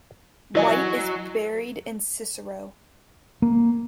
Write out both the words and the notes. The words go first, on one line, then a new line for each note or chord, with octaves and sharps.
White is buried in Cicero.
E3 F#3 D#5 G#5
A#3